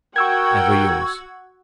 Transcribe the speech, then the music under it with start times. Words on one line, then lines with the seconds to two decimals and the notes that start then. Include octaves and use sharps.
Ever yours.
0.16 F#4 A#4 F#5 G5 C#6 E6 G#6